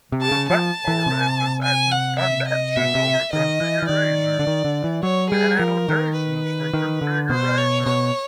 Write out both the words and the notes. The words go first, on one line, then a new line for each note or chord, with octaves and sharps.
The platform emphasizes convention over configuration and annotations for configuration.
C3
A5
C#3
F3 A5
E3
C3
G#5
F#5
E5
D#5
B2 E5
C3
D#3 D#5
E3
E3
D#3 D5
D3
D#3
D3
E3
F#3 C#5
G3 G#4
F3 A#4
D#3
B4
D#3
D3
B2 C5
C#5
B2 C#5